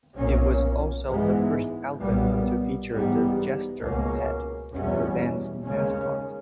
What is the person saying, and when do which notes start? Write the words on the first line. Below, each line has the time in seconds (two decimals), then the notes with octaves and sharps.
It was also the first album to feature the Jester Head, the band's mascot.
0.16 B1 A#2 A#3 C#4
1.07 G#2 E3 G#3 B3
1.99 B1 A#2 G3 B3
2.90 G#2 E3 G3 B3
3.81 C#2 B2 A#3 C#4
4.73 E2 B2 G3 C#4
5.64 D#2 C#3 G#3 C#4